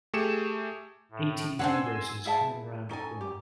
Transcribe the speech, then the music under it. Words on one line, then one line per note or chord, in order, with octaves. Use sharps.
ATV racers coming around a corner.
A3 G4 G#4 C#7 E7
A2
C4 D4 B4 F#5 G#5 C6 E6
E4 G#4 E5 A5
C#4 D#4 A4 G#5
G4